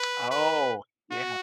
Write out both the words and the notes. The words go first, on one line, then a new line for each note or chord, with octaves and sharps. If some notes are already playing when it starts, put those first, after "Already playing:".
Oh, yeah.
Already playing: B4
B4
F#4